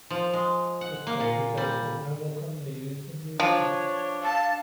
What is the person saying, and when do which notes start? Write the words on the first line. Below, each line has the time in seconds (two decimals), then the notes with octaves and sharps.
This transmutation is now more commonly used than the original.
0.10 F3
0.33 G#3
0.81 F#5
1.07 A#3
1.20 A#2
1.57 G3
3.40 F3 D4 C#5
4.23 F5 A5